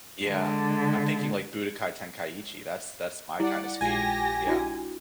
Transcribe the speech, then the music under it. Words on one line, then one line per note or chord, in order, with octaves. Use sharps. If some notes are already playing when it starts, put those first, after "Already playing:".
Yeah, I'm thinking, like, Budokai Tenkaichi, that's that's my kind of speed. Yeah.
D3 G#3
G3 E4 D5 F#5
A#1 G#3 F4 G4 G#5 A#6
D4 E4 F#4